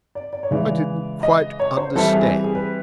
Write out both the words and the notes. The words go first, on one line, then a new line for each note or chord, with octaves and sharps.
"I didn't quite understand."
D5
D5
C#5
C#3 E3 G#3 D5
D#5
C#5
C5
E3 G3 C4 E4 A4
G#4
G#4
B4